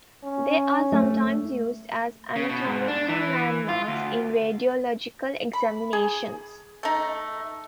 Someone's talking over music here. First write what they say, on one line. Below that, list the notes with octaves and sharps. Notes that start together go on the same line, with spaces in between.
They are sometimes used as anatomical landmarks in radiological examinations.
C#4
A3
C#3
B2
G#2
D4
E3
F4
D2
B5
G#4
A3 D#4